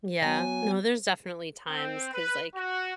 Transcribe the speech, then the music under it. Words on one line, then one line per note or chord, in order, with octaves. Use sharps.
Yeah. No, there's definitely times 'cause like,
F#3 B3 G#5
C4
B4
F#4